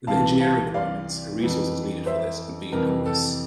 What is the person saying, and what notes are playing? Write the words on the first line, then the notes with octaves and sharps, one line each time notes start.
The engineering requirements and resources needed for this would be enormous.
C2 C3 E3 F5 A5
F5 A5
D5 F5
F2 E3
C5 E5
F2 C3 E3 A#4
A4